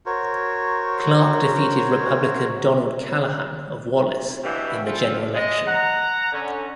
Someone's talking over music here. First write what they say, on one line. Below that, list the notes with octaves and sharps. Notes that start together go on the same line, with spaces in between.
Clark defeated Republican Donald Callahan of Wallace in the general election.
F#4 A#4 C5 C#5
G2 B2 E3 G3 E4 G4
C4 F4 A4
G#3 D#5
F#5 A#5
D3 C#4